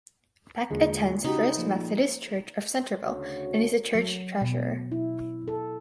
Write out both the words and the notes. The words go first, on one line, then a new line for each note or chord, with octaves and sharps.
Beck attends First Methodist Church of Centerville and is the church treasurer.
E2 A#2 D3 G#3
C#3 D#4 F#4 G4 B5
A#2 F3
D2 C#3 F#4 C#5
F#3
B2
E4
A4